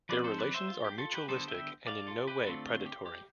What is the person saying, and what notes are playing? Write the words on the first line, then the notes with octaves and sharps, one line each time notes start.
Their relations are mutualistic and in no way predatory.
F3 C4 B4 D5
A4 C5
B4 D5
C5 E5
F4
G4
F4 A4
G4 B4
D3 G3 B3 A4 C5
E5 G5
D5 F5
F4 A4
G4 B4
D3 A3 C4 F4 A4
F4
G4
G4